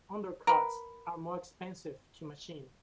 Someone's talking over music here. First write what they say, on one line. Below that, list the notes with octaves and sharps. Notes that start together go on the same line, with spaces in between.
Undercuts are more expensive to machine.
A#4 B4